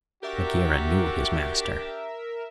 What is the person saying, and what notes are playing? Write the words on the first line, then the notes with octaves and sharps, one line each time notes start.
Bagheera knew his master.
D4 F#4 G4 A#4 E5